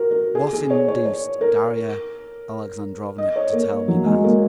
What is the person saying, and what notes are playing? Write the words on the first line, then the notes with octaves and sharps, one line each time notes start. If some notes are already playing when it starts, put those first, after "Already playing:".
What induced Darya Alexandrovna to tell me that?
Already playing: F#4 A#4
A#4
G#4
G#4
C#5
C#5
C#5
A#4
D#5
C#5
A#3
F#3
G#3
A#3